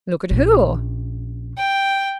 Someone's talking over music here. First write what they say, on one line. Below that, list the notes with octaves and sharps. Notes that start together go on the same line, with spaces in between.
"Look at who?"
A#1 C#4
G5